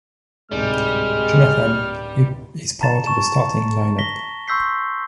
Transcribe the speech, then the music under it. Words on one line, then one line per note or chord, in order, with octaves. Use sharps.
Jonathan is part of the starting lineup.
D1 G#2 C3 G3 G#3 F6
A5 A#5 A6 E7
A5 C#6 E7
A#6 B6 G7
C6 C#6 E6 G6 B6 C7